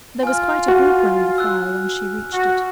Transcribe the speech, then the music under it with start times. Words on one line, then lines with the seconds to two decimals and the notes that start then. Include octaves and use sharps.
There was quite a group round the fire when she reached it.
0.23 F4 G#5 F6
0.68 F#4
1.38 E6 F#6
2.33 F#4